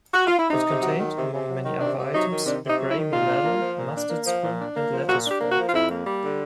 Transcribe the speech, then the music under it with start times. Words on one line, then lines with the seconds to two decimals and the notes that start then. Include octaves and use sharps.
It contained, among many other items, a gravy ladle, mustard spoon and lettuce fork.
0.12 F#4
0.26 F4
0.38 E4
0.50 C3 D#4
0.67 C3
0.83 F#3
0.99 D#3
1.15 C3
1.32 C3
1.48 F#3
1.64 D#3
1.80 C3 D4
1.97 C3
2.13 F#3 D#4
2.30 D#3
2.46 C3 D4
2.62 C3
2.68 D#4
2.79 F#3
2.90 E4
2.95 D#3
3.12 A#2 F4
3.29 D4
3.44 A#3
3.60 F3
3.77 A#2
3.94 D4
4.09 A#3
4.26 F3
4.42 A#2
4.59 D4
4.75 A#3
4.92 F3
5.08 A#2 F#4
5.24 D4
5.30 G4
5.40 A#3
5.51 F#4
5.56 F3
5.69 F4
5.73 F2 E4
5.90 A#3
6.06 G3
6.23 D3